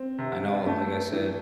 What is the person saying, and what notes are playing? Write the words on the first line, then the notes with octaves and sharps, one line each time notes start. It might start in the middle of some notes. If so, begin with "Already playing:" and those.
I know like I said,
Already playing: C4
C3
A3
E3